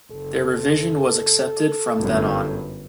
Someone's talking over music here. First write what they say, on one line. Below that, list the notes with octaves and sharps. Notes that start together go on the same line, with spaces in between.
Their revision was accepted from then on.
F#1 A4
G1 F#2